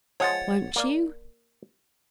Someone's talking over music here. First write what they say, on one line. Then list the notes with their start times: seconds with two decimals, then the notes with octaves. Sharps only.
Won't you?'
0.20 F3 G#3 C#5 F#5 A6
0.76 A#3 D5 F5